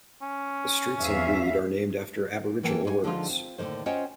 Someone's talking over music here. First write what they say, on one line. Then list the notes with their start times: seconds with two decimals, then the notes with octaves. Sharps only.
The streets in Reid are named after aboriginal words.
0.22 C#4
0.99 E2 E5 F5
2.63 E3 A#3 G5 A5
2.85 G#2 B4 G#5
3.04 D3 F3 G#3 D#4 F4
3.29 C4 F4
3.58 D#2 A2 D3 D#3 C5
3.86 C#4 F4 C5 D#5 F#5 G5